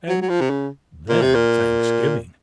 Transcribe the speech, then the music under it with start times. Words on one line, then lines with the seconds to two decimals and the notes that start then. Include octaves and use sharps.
And then Thanksgiving!
0.09 F#3
0.21 F#3
0.29 F3
0.41 C3
0.50 C#3
1.09 A#2
1.22 C3
1.34 A#2